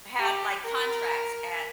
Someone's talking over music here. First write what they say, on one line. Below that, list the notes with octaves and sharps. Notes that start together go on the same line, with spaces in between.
had, like, contracts at,
G4
A#4